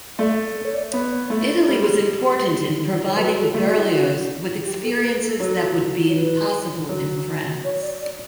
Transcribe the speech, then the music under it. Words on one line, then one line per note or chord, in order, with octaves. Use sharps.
Italy was important in providing Berlioz with experiences that would be impossible in France.
A3 D5
A4
C#5
D5
B3 C#5
A3
G3
C#5
F#3 B4
A4
A3
F#4
E4
F#4
G4
A4
A4
B4
A4
F#3
C#5
B4
F#3
C#5
D5
D5